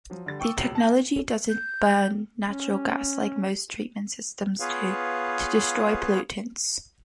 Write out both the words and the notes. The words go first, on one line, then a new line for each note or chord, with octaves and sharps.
The technology doesn't burn natural gas like most treatment systems do to destroy pollutants.
F3 F#3
D3 G3 A6
G5 C#6 D6 E6
D#1 C#2 B2 C7 F#7
A5 A#6
G6
C#4
B3 F4 G#4 B4 C#5 F5